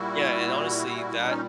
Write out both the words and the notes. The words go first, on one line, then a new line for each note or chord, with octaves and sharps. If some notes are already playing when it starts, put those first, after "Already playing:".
Yeah, and, honestly, that
Already playing: A#2 G3 E4 F#4
D4
C#4 D#4